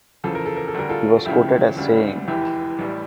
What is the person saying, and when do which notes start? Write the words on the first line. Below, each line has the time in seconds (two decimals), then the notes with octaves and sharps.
He was quoted as saying.
0.24 E2 C#3 F3 A4
0.35 A#4
0.46 A4
0.56 A#4
0.68 A4
0.74 D2 D3 G3 A#4
0.89 F4 A4
1.26 C#2 C#3 F3 E4 G4
1.77 E1 D2 C#3 G3
2.28 F1 E2 E3 E4 G4
2.79 A1 A2 G3